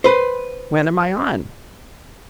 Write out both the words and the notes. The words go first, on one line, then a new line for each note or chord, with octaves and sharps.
"When am I on?"
B4 C5